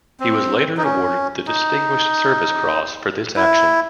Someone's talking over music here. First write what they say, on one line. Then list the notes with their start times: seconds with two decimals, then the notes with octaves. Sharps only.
He was later awarded the Distinguished Service Cross for this action.
0.20 C4
0.77 D#4
0.83 C#4
1.47 D#4
3.36 E4